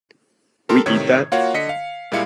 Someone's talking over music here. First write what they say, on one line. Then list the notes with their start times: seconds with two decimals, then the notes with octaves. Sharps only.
We eat that?
0.69 G4 A4 A#4 C6
0.86 A2 C3 D#3 C#5 G#6
1.32 A#3 F4 F#4 C#5 F5 F#5
1.54 D3 D#5 B6 C#7
1.69 F5
2.12 A#2 G3 G#3 E4 F5 C#7